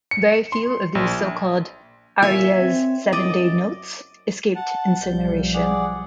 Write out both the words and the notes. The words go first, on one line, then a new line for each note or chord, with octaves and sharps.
Very few of these so-called "Arias Seven Day" notes escaped incineration.
C#7
C6
A#1
A#2 C#5 E5 G#5
C4
F#2 D5 D#5
F#5 A5
B1 F3 G3 G6
G#4 D5 F#5